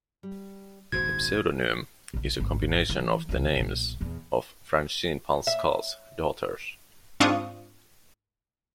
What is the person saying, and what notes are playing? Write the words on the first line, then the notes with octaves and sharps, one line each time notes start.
The pseudonym is a combination of the names of Francine Pascal's daughters.
G3
D#1 G#1 G#2 F#4 C5 G#6
A#1 D3
G#1
E3
C#2 E3
B1 A#2
E2 A#2
E5
G#2 C4 D4 F4 C#6 D#6